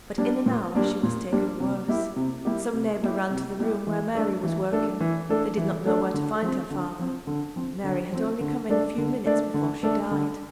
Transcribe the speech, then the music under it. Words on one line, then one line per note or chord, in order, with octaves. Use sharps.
But in an hour she was taken worse; some neighbour ran to the room where Mary was working; they did not know where to find her father; Mary had only come in a few minutes before she died.
G3 A#3 D4
A#2
G3 A#3 D4
A#2
G3 A#3 D4
C3
G3 A#3 E4 G4
C3
G3 A#3 E4 G4
C3
G3 A#3 E4 G4
C3
G3 A#3 E4 G4
E3
A3 D4 A4
E3
A3 D4 A4
E3
A3 D4 A4
E3
A3 D4 A4
D3
F3 C4
D3
F3 C4
D3
F3 C4
D3
F3 C4
D3
A3 D4 A4 D5
D3
A3 D4 A4 D5
D3
A3 D4 A4 D5
D3